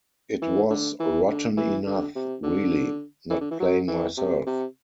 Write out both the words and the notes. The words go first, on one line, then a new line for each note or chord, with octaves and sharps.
It was rotten enough, really, not playing myself.
E3
D3
E3
D3
E3
D3
C3
D3
E3
D3
E3
F#3
E3
C3
C3